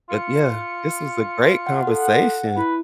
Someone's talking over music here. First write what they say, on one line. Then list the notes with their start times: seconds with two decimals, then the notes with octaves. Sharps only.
But, yeah, this was a great conversation.
0.10 F4 C#7
1.67 F#5
1.87 A4 F#5
2.57 E4 B4